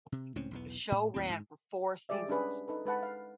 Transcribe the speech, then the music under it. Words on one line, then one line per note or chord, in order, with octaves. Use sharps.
The show ran for four seasons.
C3
C#2 A2 C4 C#4
B1 E2 B3
A2
D#2 A2 C4
G#2
G3 G#3 G4 G#4 D5 E5
C#4 D4 G#4 B4
D#4 A4 B4
G#3 B4 F#5 A5
F5